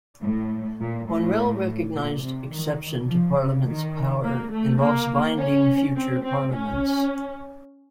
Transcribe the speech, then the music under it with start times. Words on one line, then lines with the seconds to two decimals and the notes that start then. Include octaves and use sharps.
One well-recognised exception to Parliament's power involves binding future Parliaments.
0.23 A2
0.80 A#2
1.09 A2
1.94 A#2
2.24 C3
2.52 D#3
3.09 F3
3.38 C#3
3.67 D#3
4.24 A#3
4.52 A3
4.81 A#3
5.39 C#4
5.96 C4
6.24 C4
6.53 C#4